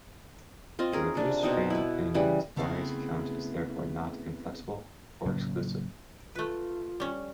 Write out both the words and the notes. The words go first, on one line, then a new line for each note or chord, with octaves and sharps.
The religious frame in Tabari's account is therefore not inflexible or exclusive.
C4 F4 D#5
C#4 G#4 A#4
C3 D4
B2 C4 D#4
E4 B4
C#3 E3 G3 B4
C#3 A3 B3 C4 E4 G#4
A2 C#3 F#3 A#3
A3 F4 B4
G3 C#4